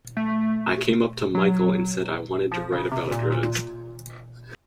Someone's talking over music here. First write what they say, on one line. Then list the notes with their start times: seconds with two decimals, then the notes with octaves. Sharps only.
I came up to Michael and said I wanted to write about drugs.
0.17 A3
1.35 F#3
2.52 F3
2.72 C#3
2.91 C3
3.11 A#2